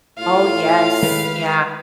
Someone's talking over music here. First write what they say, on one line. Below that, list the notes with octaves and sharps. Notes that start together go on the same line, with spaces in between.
Oh, yes, yeah.
A2 F4 F5
D#3 G#3 B4